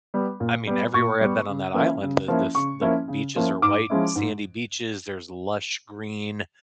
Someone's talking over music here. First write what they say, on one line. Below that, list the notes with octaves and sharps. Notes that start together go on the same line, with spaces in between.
I mean, everywhere I've been on that island, the the f the beaches are white, sandy beaches. There's lush green
G3 B3
A#2
G3 B3
A#2 C#6
G3 B3
C#3
F3 A#3 C#4 E4
C#3
F3 A#3 C#4 E4
C#3 C#6
F3 A#3 C#4 E4
C#3
F3 A#3 C#4 E4
G#2 D6
F3 G#3 C#4 E4
G#2